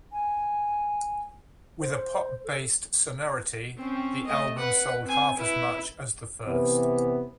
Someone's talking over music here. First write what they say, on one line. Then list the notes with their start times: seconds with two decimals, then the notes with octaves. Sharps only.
With a pop-based sonority, the album sold half as much as the first.
0.12 G#5
1.81 C5
2.44 A4
3.77 C4 C#4
4.27 A3 D#5
4.58 B4 F#5
5.05 C4 G#5
5.37 E4 B4
6.44 C3 E3 B3